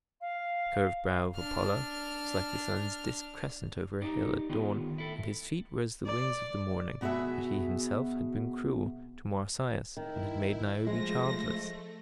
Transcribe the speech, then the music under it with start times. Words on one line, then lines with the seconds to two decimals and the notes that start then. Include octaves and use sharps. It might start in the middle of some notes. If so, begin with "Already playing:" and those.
The curved brow of Apollo was like the sun's disc crescent over a hill at dawn, and his feet were as the wings of the morning, but he himself had been cruel to Marsyas and had made Niobe childless.
0.21 F5
1.36 D4 F6
4.02 D#4 G4 D5 A#5
4.50 D#3 B3 F4 G4
4.98 E4 A4
6.05 D5
7.01 B2 B3 F#4 G#4 E5
9.97 D#3 E4
10.87 F3 G#3 A3 A#6